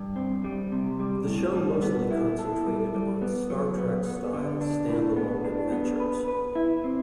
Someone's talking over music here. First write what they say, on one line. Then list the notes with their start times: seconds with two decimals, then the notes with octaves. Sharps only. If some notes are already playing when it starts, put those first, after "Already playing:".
The show mostly concentrated on "Star Trek"-style standalone adventures.
Already playing: G2
0.16 C4
0.44 G3
0.72 C3
1.00 G3
1.27 A2
1.55 G3
1.83 B3
2.11 E4
2.39 A4
2.67 G3
2.95 G3
3.22 B3
3.50 F#3
3.78 B3
4.05 B3
4.33 D3
4.61 D4
4.89 A2
5.16 B3
5.45 D4
5.72 B3
6.00 B4
6.28 B4
6.56 E4
6.84 C4